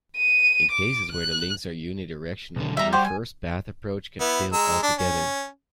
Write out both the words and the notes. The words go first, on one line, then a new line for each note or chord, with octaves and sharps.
In cases where the links are unidirectional, the reverse path approach can fail altogether.
D#7
D6
F#6
B1 D3
G3 E5 A#5
F#4 G4 C5
G#5
B3 E4
G#3 A#5 E6
D4
C#4